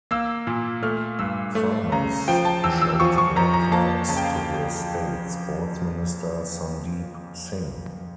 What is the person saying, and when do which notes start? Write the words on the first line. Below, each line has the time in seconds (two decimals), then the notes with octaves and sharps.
Farmers showed black flags to the state sports minister Sandeep Singh.
0.11 A#3 E6
0.47 A#2
0.83 A3 F6
1.19 G2 E6
1.55 A3
1.92 C#3 A#5
2.28 F3 G5
2.45 A5
2.64 E2 E6
2.82 E6
3.00 F3 C#6
3.18 C#6
3.36 F2 A#5
3.53 A#5
3.72 A#3 A5
4.08 C#3 A5
4.17 G5
4.24 F5